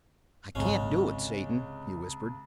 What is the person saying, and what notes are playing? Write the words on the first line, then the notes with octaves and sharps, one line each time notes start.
"I can't do it, Satan," he whispered.
G#1 C#2 G#2 C3 G#3 C#4 F5